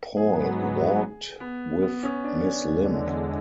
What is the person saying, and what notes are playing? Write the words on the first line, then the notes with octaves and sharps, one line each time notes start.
Paul walked with Miss Limb.
G#2 F#3 B3 G#4
B3
B3
C#4
D4
D4
C#4
E2 D3 G#3